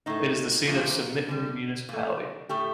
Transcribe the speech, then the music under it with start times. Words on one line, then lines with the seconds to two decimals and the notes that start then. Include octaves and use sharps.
It is the seat of Simitli Municipality.
0.06 A2 A3 D#4
0.67 A#2 F3 A3
1.29 D3 G3
1.89 A#2 A3
2.49 A2 A3 G4